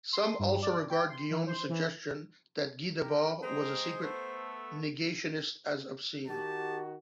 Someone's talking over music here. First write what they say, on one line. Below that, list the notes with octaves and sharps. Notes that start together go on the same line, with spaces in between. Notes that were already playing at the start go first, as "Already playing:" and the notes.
Some also regard Guillaume's suggestion that Guy Debord was a secret negationist as obscene.
C6
G2
D5
G5
C6
E3
C5
E3
G4 A#4
G#3 C5 G5 A#5
A3 B3 A4
D#3 F#4 G4 A5